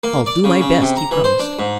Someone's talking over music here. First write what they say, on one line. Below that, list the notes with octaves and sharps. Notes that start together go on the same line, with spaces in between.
"I'll do my best," he promised.
A#3
D5
C#3
C#3
C3
A#5
E3
C5
D4
G#2